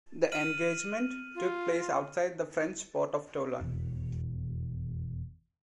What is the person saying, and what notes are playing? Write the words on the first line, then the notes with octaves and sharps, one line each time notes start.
The engagement took place outside the French port of Toulon.
F6 D#7 F#7
F4
F1 E2 B2